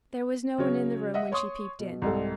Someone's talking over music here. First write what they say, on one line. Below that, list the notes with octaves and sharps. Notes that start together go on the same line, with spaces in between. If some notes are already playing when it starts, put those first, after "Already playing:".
There was no one in the room when she peeped in.
C#3 F#3 C#5
D#5 E5 F#5
C#5 C6 C#6 D#6
B2
C2 G#2 G3 A4